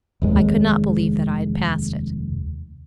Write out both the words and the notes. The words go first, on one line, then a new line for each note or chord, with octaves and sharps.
I could not believe that I had passed it.
F1 D#2 G#3